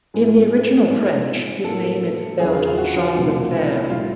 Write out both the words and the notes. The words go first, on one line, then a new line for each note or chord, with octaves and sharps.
In the original French, his name is spelled Jean Leclerc.
A2 F3 G#3 C4
G#2 F3 G#3 C4
A2 F#3 A#3 A4
E2 C#3 F#3 G#4
F4
F4
F#4
F4
C2 B2 F#3 A3 C4
E4
E4
A2 E3 G3 F4